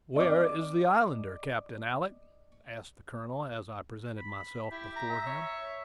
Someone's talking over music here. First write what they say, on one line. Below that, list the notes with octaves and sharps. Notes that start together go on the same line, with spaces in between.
"Where is the Islander, Captain Alick?" asked the colonel, as I presented myself before him.
D5 D#5 D6
B5
E4 G4
A#5
E5
C#5